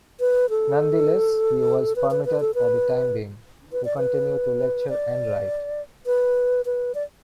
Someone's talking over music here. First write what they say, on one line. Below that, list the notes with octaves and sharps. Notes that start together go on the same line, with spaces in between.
Nonetheless, he was permitted, for the time being, to continue to lecture and write.
B4
A4
B4
B4
B4
A4
B4
B4
D5
B4
D5
B4
B4
D5